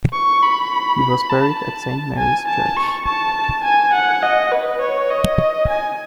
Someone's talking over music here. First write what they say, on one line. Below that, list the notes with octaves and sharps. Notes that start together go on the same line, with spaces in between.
He was buried at Saint Mary's Church.
C#6
B5
B5
A5
A5
G#5
A5
C#6
A5
G#5
F#5
D#5
B4
C#5
D#5
G#5